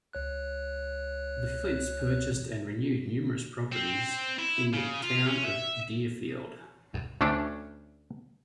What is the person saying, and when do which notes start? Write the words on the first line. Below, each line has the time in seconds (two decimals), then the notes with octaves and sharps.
The Flynts purchased and renewed numerous properties in the town of Deerfield.
0.13 C#2 C#5 F#6
3.72 C4
4.39 E4
4.73 C#3
5.03 F4
5.26 C#4
5.44 E5
7.21 D2 A3 C#4 D4